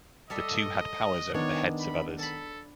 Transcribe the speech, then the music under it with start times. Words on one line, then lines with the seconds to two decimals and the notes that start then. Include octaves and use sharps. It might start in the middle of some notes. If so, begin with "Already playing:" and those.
The two had powers over the heads of others.
0.30 G3 A4 D#5 E5
1.34 D#3 G#3 B3 D4 C#5
1.80 B5
2.19 A4 A5 B5